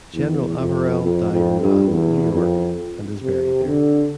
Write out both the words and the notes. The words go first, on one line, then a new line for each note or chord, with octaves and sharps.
General Averell died in Bath, New York, and is buried there.
E2
F2
F2
F2
G2
E2
F2
C3
D3